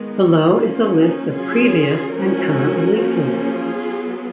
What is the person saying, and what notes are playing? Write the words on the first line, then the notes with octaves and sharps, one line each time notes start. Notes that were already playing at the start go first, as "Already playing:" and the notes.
Below is a list of previous and current releases.
Already playing: D#3 G#3 B3
D#4
F3 A#3 C#4 F4
D#4 F#4
F#3 C#4 F4 G#4
F3 G#3 C#4 F#4 A#4
F3 A#3 C#4
F4 G#4
F#3 B3